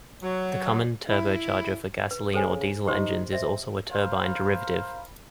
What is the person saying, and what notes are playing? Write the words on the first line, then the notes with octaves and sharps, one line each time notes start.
The common turbocharger for gasoline or diesel engines is also a turbine derivative.
F#3
E4
B4
C#3 A4 C5 G#5
D#4 G4 C5 C6
C5 D#5 E5
A#4 C5 F5 B5